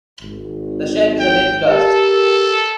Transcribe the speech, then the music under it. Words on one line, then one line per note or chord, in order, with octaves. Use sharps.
The shape is a dead crust.
G#1
G5
G4 A4 A#4